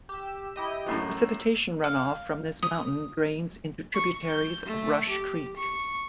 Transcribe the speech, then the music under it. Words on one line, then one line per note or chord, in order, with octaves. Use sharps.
Precipitation runoff from this mountain drains into tributaries of Rush Creek.
G4 E6
E4 G4 D#5
F#2 A2 F#3
E6
F5
D#6
C#6
G6
A3
G4
C#6